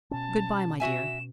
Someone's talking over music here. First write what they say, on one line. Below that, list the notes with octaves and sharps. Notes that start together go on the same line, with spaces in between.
"Good-bye, my dear."
B2 C#4 A5
F#4 E5 G#5 E7